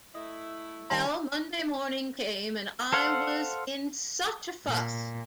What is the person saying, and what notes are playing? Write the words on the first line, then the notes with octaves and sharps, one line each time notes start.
Well, Monday morning came, and I was in such a fuss!
A3 E4 D#5
D#3 G3 F5 A5 C6
A4 C5 F5 F#5
A#2